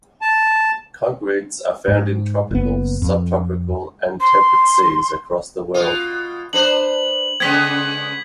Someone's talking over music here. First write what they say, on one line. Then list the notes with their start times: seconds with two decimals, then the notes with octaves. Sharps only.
Congrids are found in tropical, subtropical and temperate seas across the world.
0.22 A5
1.88 G#2
2.51 F#1 B3
3.02 F2
4.20 C6
5.74 B2 F4
6.53 D4 B4 C5 F#7
7.40 C#3 G#3 B3 G#6 B6